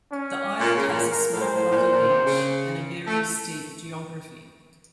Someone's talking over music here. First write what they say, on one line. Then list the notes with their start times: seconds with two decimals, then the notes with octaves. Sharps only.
The island has a small rocky beach and a very steep geography.
0.12 C#4
0.60 A#2
0.77 C#3
0.88 A2
0.94 A#2
1.11 A#4
1.31 A2
1.42 C5
1.54 A2
1.71 A2
1.76 A#2
1.92 A#2
2.09 C3
2.24 C#3
3.07 A3